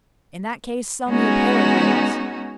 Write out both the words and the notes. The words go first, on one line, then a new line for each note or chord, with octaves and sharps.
"In that case, sell me a pair of wheels."
G#3 B3 C#4 D#4 F#4